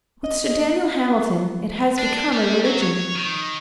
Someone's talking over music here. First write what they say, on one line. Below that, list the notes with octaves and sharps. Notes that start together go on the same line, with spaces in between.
With Sir Daniel Hamilton it has become a religion.
D#5
D4
G3
F#3
C#5
D#3